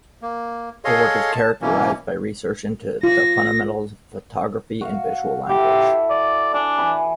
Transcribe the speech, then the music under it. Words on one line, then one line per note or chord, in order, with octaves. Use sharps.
Her work is characterized by research into the fundamentals of photography and visual language.
A#3
G#4 A4 C#5 D#5 F5 C6
A5
B2 E3 F#3 A#3 C#4
F4 A#6
F#4 F5
E4 G4 A4
D5
D4 G#5
E3 G#5 B5